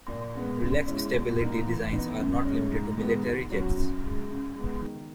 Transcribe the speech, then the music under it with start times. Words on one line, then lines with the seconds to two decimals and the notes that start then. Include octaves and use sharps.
Relaxed stability designs are not limited to military jets.
0.08 A#2
0.35 G#3 B3
0.60 C#3
0.87 G#3 C#4 E4
1.13 B2
1.40 A#3 D#4 A#4
1.66 E3
1.93 B3 D#4
2.19 F#2
2.45 C#3 G#3 C#4
2.71 G#2
2.97 D#3 G#3 B3
3.24 G#2
3.50 F#3 C#4 F#4
3.76 F#2
4.02 C#3 G#3
4.29 C#3
4.54 G#3
4.60 B3
4.82 D#3